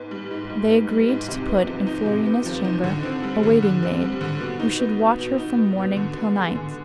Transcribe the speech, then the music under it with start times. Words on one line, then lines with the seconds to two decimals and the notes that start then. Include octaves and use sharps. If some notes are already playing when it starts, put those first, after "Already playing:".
They agreed to put in Florina's chamber a waiting-maid, who should watch her from morning till night.
Already playing: G#2 B3
0.11 G3
0.31 G#2
0.49 G#2
0.69 B3
0.89 G3
1.08 G#2
1.28 C3
1.48 B3
1.67 F3
1.87 D#4
2.06 C3
2.26 B3
2.46 F3
2.64 D#4
2.84 D3
3.03 C4
3.23 G3
3.43 D3
3.62 D3
3.83 C4
4.02 G3
4.21 D3
4.41 B2
4.60 D#4
4.79 B3
4.99 B2
5.19 B2
5.38 D#4
5.57 B3
5.78 B2
5.96 D3
6.16 B3
6.36 G#3
6.55 D3